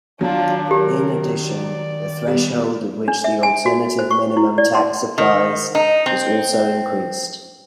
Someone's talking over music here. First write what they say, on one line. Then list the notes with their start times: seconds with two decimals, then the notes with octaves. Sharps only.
In addition, the threshold at which the alternative minimum tax applies was also increased.
0.21 D#3 F#3 D4 F4 A5
0.71 G4 A#4
1.48 D5
2.26 B2 G3 B3
3.08 D4
3.24 E5
3.43 G#5
3.66 F#4
3.99 C5
4.11 C#6
4.37 E4
4.58 D5
4.75 C6
5.18 D#3
5.75 D#4
6.06 C4